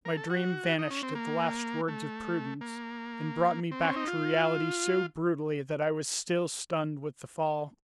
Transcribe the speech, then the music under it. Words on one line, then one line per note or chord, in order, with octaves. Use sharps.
My dream vanished at the last words of Prudence, and brought me back to reality so brutally that I was still stunned with the fall.
A#4
A4
F#4
D#4
C#4
C4
A#3
A3
A#3
C4
C#4
D#4
F4